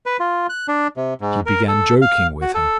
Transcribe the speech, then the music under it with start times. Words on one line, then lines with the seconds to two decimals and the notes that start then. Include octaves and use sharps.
He began joking with her.
0.06 B4
0.20 F4
0.49 F#6
0.68 D4
0.97 C3
1.21 G#2
1.46 A#4
1.68 A4
2.02 F5
2.42 F#4
2.55 A4